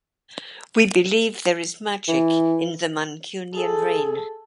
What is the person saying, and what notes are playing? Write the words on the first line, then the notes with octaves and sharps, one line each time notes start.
We believe there is magic in the Mancunian rain.
E3
G#4 A4